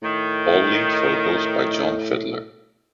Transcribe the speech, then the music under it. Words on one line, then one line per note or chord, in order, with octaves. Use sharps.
All lead vocals by John Fiddler.
A2 D#3